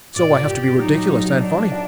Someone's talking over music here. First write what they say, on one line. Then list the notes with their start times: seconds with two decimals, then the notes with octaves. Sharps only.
So I have to be ridiculous and funny.
0.16 A#2 D5
0.47 A#2 G4
0.79 F#3 D#4
1.10 F#3
1.40 D4 D5
1.72 D5